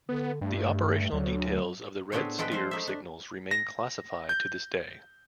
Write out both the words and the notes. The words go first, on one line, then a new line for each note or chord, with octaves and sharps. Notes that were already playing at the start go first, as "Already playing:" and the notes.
The operational details of the Red Steer signals remain classified to this day.
D3 B3
G2 A3
D2 F#3
A2 B3 C4 D4 G4 G#4
F3 G#3 A4 B4 G5 A5
F3 C4 C5
A3 D#4 E5
D4
A#6
G6